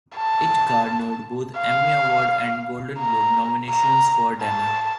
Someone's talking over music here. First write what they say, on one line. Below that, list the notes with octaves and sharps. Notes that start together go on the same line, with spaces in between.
It garnered both Emmy Award and Golden Globe nominations for Danner.
A5
F5
A#5
A#5
A5